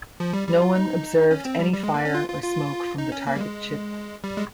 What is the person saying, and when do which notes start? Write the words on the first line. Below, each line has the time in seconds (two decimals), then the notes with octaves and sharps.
No one observed any fire or smoke from the target ship.
0.20 F3
0.33 G3
0.49 G3
0.62 F4
0.75 D#4
1.31 C#4
1.45 C4
1.59 G3
1.73 G3
1.84 G#3
1.94 A#3
2.05 C#4
2.15 F4
2.28 F4
2.43 F4
2.98 D#4
3.12 C#4
3.27 A#3
3.36 G3
3.41 G#3
4.24 G3
4.37 G#3